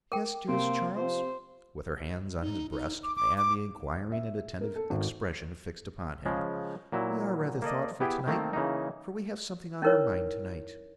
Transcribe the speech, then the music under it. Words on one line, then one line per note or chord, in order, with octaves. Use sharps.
"Yes, dearest Charles," with her hands on his breast, and the inquiring and attentive expression fixed upon him; "we are rather thoughtful to-night, for we have something on our mind to-night."
A#4 G5 D6
C3 A#3 C4
F3 C5
D#4
D#4
D6
D6
D6
E5
A#4
A4
G#1
C#3 F3 G#3
A#2 F#3 E4
A#3 A4 D5 D#5
B3 E4 G4 G#4 G5
D#3 A3 A#3 C4
C#3 E3 A#3 D#4
C#4 D#4 E4 A#4 B4 C#5